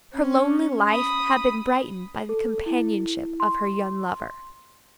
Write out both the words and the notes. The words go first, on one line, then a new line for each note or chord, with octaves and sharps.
Her lonely life had been brightened by the companionship of her young lover.
C#4
B5 D#6
A4
E4
C6